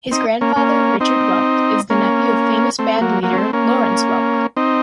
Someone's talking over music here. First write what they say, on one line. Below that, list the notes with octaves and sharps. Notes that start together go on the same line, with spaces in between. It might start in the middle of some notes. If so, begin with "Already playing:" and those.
His grandfather, Richard Welk, is the nephew of famous band leader Lawrence Welk.
C4 D#4
A#3 C#4
A#3 C#4
C4 D#4
A#3 C#4
A3 C4
F#3 A#3
F#3 A#3
C#4
A3 C4
A#3 C#4
C4 D#4